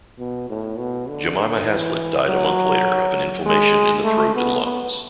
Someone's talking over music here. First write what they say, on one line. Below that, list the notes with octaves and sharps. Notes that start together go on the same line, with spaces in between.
Jemima Haslet died a month later of an inflammation in the throat and lungs.
B2
A2
B2
D3
D3
E3
F#3
G#3
A3
B3
B3